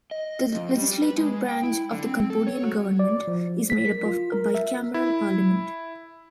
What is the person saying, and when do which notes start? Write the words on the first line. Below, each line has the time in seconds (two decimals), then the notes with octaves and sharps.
The legislative branch of the Cambodian government is made up of a bicameral parliament.
0.11 D#5
0.55 F2
0.77 G3
1.02 B4
1.18 G#3
1.49 G5
1.63 E4
1.91 D3
2.05 C4
2.30 A4
2.47 C#5
2.63 F#4
2.99 D5
3.27 F3
3.70 B6
3.86 A#4
4.05 F4
4.32 A#4
4.55 E5
4.94 E4